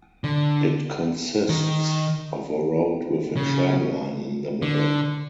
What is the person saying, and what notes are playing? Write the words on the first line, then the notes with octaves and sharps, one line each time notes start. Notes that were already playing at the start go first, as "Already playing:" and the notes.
It consists of a road with a tram line in the middle.
D3
D#3
C#3
D3